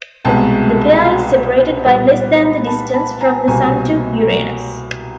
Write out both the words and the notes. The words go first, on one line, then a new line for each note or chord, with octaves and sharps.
The pair is separated by less than the distance from the Sun to Uranus.
C2 B2 G#3 B3 G5 A5
A#2 G3 B3
A5 B5
A5 B5
G#5 A#5
C2 B2 G3 A#3 G#5 A#5